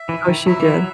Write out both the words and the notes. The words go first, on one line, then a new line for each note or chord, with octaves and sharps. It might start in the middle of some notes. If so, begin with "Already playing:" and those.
Oh, she did.
Already playing: E5
E3 E4
D#3
F#3 E5
E3
F#3